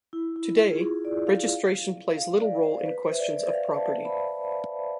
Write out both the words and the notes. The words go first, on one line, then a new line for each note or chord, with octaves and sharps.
Today, registration plays little role in questions of property.
E4
E4
F4
G#4
F4
G#4
D5
F5
F5
D5
C5
B4
C5
E5
D5
D5
F5
A5
A5
B5